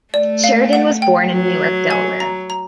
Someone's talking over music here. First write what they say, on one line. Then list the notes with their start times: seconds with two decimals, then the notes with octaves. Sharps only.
Sheridan was born in Newark, Delaware.
0.14 A3 D5
0.44 F5
0.73 F#5
1.02 G5
1.32 F#3
1.91 G#5
2.20 A#5
2.50 A#5